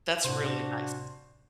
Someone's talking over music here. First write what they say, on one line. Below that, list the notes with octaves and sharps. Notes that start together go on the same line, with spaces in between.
That's really nice.
A2 C3 D4 F#4 C5